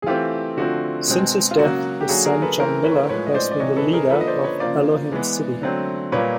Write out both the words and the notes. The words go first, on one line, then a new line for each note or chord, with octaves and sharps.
Since his death, his son John Millar has been the leader of Elohim City.
G#4
E3 A3 C4 F4 G4
D3 F3 A3 C4 F#4
B2 G#3 C4
F4
C#3 F#3 A#3 F#4
G4
D3 F#3 A#3 F#4 G#4
G#4 A#4
A4 B4
E3 A3 C4 A#4 C5
B4 C#5
A2 F3 G#3 B4 C#5
D#5
C5 D5
D5
C3 E3 G#3 C#5 D#5
A4 B4
G#4 A#4
D3 F3 A#3 A4 B4
D#5
C5 D5
B4 C#5
C#3 F3 A#3 C5 D5
E3 G#3 B3
D3 F#3 A3 C4
A#2 G3 A#3 B4 C#5